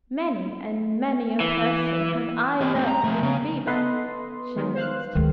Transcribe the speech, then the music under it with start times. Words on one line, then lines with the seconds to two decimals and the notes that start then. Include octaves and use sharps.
"Many and many a person have I nursed in fever," she announced.
1.41 E3
2.61 G4 D#5
2.75 A3 C4
2.87 A#5
3.04 F3 A3
3.23 C#3
3.67 B3 A4 B4 D#5 C6
4.56 D#3 G#3
4.75 C5 F5 F#6
5.15 D2 D#3 G#3